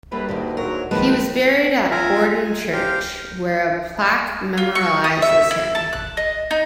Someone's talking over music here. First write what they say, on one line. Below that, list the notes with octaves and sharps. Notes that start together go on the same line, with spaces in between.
He was buried at Borden Church, where a plaque memorialises him.
F#2 D3 G3 A#3 G4 B4
D2 G2 A#2 D#3 D4
G#2 F#3 A#4
D#3 F3 G#3 A#3 A#4 B4 A5
F4 A#4 E5 G#5 A#5
G#5
G4 A#4 C5 F5 G5 F6
F4
C#6
D#6
E5
E4
A5
F#6
D#5
D#4